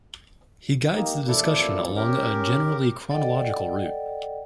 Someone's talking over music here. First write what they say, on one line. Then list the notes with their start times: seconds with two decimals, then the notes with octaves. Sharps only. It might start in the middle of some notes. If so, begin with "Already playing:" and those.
He guides the discussion along a generally chronological route.
0.93 A#3 D#4 G4
1.28 A1 F2 A#2 E4 A4 D5
1.96 C#4 G4 A#4
3.11 A4 D5 D#5 F#5 G5